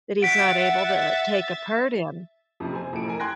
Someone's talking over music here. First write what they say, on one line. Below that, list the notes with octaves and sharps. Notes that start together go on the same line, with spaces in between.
that he's not able to, uh, take a part in.
E5 F#5 A6 B6 D7
F2 C3
C5 G#5
F2 A2 A3 D7
A#4 G#5
G5 C6 F#6 G#6 A#6